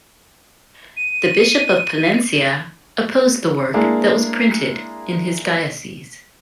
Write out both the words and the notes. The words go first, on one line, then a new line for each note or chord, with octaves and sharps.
The Bishop of Palencia opposed the work that was printed in his diocese.
D#7
G#3 A#3 D4 E4 G#4